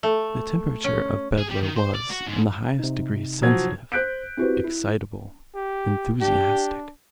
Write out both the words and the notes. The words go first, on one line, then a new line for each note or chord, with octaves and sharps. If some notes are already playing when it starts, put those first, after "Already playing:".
The temperature of Bedloe was, in the highest degree sensitive, excitable, enthusiastic.
A3
C#4
G#4
G3
D#3
C5
D5
F#4
G#2
C3 D#4
F3 F#3 G#6
C5 F#6 G6 B6 D7
C4 E4 F#4 G4 B4 C5
E4
G4
D4 G4